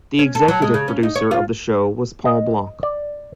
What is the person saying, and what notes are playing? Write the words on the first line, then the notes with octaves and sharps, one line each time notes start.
The executive producer of the show was Paul Block.
C#4
A4
F#3
G#3
C#3
C#4
D#4
C#5
F4
D#5
D5